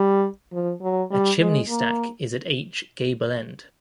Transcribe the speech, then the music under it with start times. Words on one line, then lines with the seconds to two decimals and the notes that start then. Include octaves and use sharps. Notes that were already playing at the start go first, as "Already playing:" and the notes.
A chimney stack is at each gable end.
Already playing: G3
0.53 F3
0.82 F#3
1.11 G3
1.40 G#3
1.69 A#3